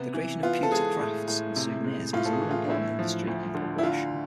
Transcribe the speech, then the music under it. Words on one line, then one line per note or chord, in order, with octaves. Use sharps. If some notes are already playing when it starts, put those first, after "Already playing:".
The creation of pewter crafts and souvenirs is another important industry in Pugwash.
Already playing: C3 B3
E3
B3 F4
A4
G#3 G#4
A2
A2
C3
G#3
A2 F4
A4
G#4
E3
F4
D4
A2 E4
F3
D2
D3
E4
D3 F4